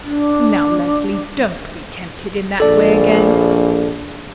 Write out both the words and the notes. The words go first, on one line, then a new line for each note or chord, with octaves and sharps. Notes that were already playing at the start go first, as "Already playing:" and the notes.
Now, Leslie, don't be tempted in that way again.
D4
A#1 A4 D5